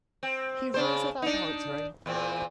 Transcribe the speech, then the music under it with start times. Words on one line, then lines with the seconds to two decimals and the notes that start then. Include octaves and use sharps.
He rose without answering.
0.23 C4
0.74 C#3 D4 C5
1.22 D4 D#4
2.06 E2 A#2 C4